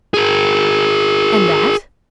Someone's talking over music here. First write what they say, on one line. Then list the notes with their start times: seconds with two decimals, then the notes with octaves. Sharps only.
"And that?"
0.14 G#4 A#4